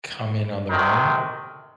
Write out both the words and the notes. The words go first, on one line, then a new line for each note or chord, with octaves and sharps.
come in on their own,
D2 C3 D#3